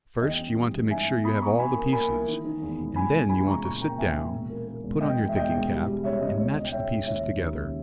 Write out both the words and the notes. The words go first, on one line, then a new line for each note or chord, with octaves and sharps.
First, you want to make sure you have all the pieces, and then you want to sit down, put on your thinking-cap, and match the pieces together.
E2 D#5 G5
C#4
G3
E2
G#2 E5 G#5
B3
B3 B5 D#6
B3 A#5 C#6
E3 G#5 B5
A#3
A#3 G#5 B5
E3
D#3
D#3
E2
E1
E3 G#5 B5
C#2
E3 G#5 B5
C#3 A#5 C#6
A#2 A#5 C#6
A#3 G5 A#5
G5
A#2 E5 G#5
A#2
E1
A#3
A#3
E1
E1 D#5 G5
E2
E5
E1 D#5 G5
E1
G3
G3
C#2 C#5 E5
C#2 D#5
C#2 C#5
B2 D#5
G5
G#3 C#5 E5
C#2
D#2 C#5 E5
C#3
D#2
C#3